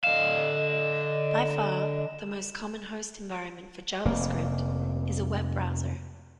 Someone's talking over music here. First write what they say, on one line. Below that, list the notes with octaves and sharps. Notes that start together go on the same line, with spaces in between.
By far the most common host environment for JavaScript is a web browser.
D3 D#5 F5 E7
F1 A#3